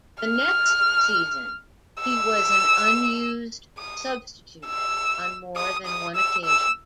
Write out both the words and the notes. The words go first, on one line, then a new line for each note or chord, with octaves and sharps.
The next season, he was an unused substitute on more than one occasion.
F6
E6
D#6
E6
D#6
D#6
E6
E6